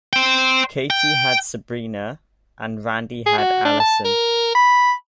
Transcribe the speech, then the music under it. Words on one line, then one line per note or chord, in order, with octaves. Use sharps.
Katie had Sabrina, and Randy had Allison.
C5 G5
G5
G#4
F#4
D4
A5
A#4
B5